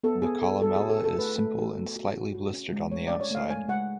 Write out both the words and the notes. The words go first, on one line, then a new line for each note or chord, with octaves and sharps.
The columella is simple and slightly blistered on the outside.
B3 A4
B3 G#4
B3 A4
F#4 A4
G#4
F#4
A4
F#4
A4
A3 B4
A3 A4
F#4 A4
B3
F#4
F#4
F#4
C#4
G#3
A3 C#5
D5
C#4
C#5
A3 F5
G#3 G#5
G#3 F#5